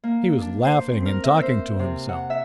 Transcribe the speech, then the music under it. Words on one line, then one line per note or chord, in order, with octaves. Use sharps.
He was laughing and talking to himself.
A#3
D4
C5
C4
A#4
E5
C5
C3
F#5
E5